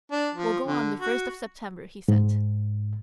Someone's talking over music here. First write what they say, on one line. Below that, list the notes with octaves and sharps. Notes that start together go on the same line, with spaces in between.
"We'll go on the first of September," he said.
D4
F3
D3
F#4
G#2